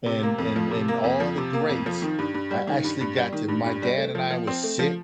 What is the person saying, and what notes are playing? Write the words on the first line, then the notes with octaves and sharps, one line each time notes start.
and and and all the greats I actually got to my dad and I would sit
C3
A#3
F2
F3
C3
A#3
F2
F3
C3
A#3
F2
F3
D#3
G2
G2
G3
D#3
G2
G2
G3
D#3
G2
G2
G3
A3
F3
F3
C4
A3
F3